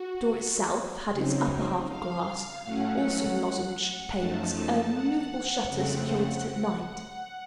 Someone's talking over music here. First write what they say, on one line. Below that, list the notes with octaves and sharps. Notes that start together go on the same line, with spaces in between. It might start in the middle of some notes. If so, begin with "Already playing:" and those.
The door itself had its upper half of glass, also in lozenge panes--a movable shutter secured it at night.
Already playing: F#4
C#3 F#3 C4 D#4
F5
A2 F#3 A3 C#4 F#5
F#5
F#2 F3 A3 D#4 A5
F#5
F2 C#3 A3 C4 F#5